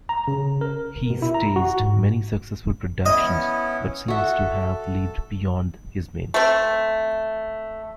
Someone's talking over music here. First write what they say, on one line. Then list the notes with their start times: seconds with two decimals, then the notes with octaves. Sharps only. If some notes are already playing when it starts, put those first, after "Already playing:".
He staged many successful productions but seems to have lived beyond his means.
0.09 A#5
0.28 C#3
0.61 A#4
1.10 B2
1.22 E4
1.34 A#5
1.56 F#4
1.80 G#2
3.06 B3 C#4 E4 D#5
4.08 F#4 A4 E5
6.34 A3 C4